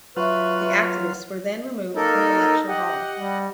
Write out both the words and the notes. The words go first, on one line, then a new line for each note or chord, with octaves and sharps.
The activists were then removed from the lecture hall.
F#3 F4 B4 E5 C#6
A#3 D#4 A4 A#4
G4 D#5 F#5
G3